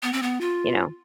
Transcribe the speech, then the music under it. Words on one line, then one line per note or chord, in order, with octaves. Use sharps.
you know.
B3
C4
B3
F4